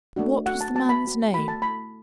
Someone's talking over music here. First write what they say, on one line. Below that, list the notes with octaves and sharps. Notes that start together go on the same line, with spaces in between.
"What was the man's name?"
A3 D4 F#4
A3 F#4 F#5
A5
B3 F#4 A5
B5
B3 F#4
A3 F#4 B5
A5
A3 E4 B5